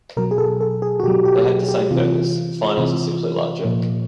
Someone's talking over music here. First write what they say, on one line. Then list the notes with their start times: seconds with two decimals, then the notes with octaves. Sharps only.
They have the same purpose, finals are simply larger.
0.17 B2 F#3 A#4
0.31 G#4
0.38 A4
0.61 A4
0.82 G#4
1.00 F#4
1.03 B2 G4
1.08 F#3
1.25 G4
1.69 G4
1.91 C3 E3 F4
2.78 C3 E3
3.65 A#2 F3